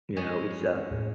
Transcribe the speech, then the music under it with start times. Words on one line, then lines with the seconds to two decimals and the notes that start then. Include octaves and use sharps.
You know? It's a
0.16 G#3 C#4 D#5
0.92 A2